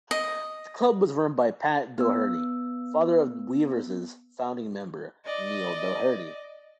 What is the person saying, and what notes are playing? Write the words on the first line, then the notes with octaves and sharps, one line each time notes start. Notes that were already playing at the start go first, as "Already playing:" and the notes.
The Club was run by Pat Doherty, father of Weavers' founding member Neil Doherty.
D#5
B3 E6
D5 D#5